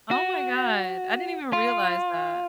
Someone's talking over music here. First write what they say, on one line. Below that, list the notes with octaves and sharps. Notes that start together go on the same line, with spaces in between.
Oh my god. I didn't even realize that.
F#4
F4